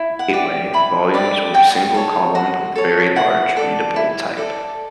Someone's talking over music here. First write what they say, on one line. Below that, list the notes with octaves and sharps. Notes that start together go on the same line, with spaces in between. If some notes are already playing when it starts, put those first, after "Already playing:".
The "Gateway" volumes were single-column with large, readable type.
Already playing: E4
F#5
G4 D5
E4 B5
G4 D5
F#4 G5
A4 C#5
F#4
A4 C#5
E4 F#5
A4 D5
E4
A4 D5